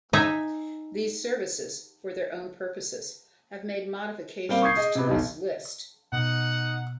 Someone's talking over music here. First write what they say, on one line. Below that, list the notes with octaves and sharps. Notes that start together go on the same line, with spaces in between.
These services, for their own purposes, have made modifications to this list.
D#4 E5 G#5
G3 A#3 C4 F5 D7 G7
C#6 D#6 G6 G#6 C7
G#4 D#5
C3 B3
B1 E2 D#4
B2 D#4 F#5